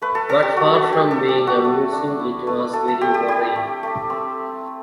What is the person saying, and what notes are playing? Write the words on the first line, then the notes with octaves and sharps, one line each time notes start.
But far from being amusing, it was very worrying.
A3 B4
A4
D4 A4
G4
A3 F#4
F#4
D4
G4
A3 A4
G4
D4
F#4
A3
D4
E4
A3
A3 A4
A4
C4 G4
G4
E4 G4
A3
A3
C4